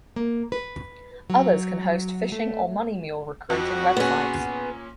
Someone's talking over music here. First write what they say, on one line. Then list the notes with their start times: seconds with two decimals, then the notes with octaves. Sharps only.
Others can host phishing or money mule recruiting websites.
0.16 A#3
0.52 B4
1.30 F#3
2.32 A3
3.50 F2 F#4
3.97 A#2 B3 C#4 G#4